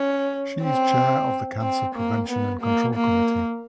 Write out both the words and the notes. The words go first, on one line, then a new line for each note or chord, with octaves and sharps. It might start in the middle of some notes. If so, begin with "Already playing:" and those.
She is Chair of the Cancer Prevention and Control Committee.
Already playing: C#4
C4
C4
A#3
B3
A#3
A#3